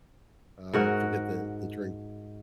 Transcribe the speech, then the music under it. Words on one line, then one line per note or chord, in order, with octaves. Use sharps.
uh, forget the the drink,
G#2 F#4 A#4